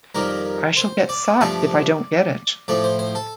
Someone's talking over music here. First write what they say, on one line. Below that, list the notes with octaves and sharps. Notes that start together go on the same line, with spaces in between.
I shall get sacked if I don't get it.
F2 D#3 G3 A#4
C5
D5
G2 F3 A3 D5
A2 F3 A3 D5
C5
C5
A4